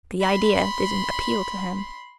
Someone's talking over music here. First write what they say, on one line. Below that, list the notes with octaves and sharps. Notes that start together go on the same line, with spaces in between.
The idea didn't appeal to him.
B5 C6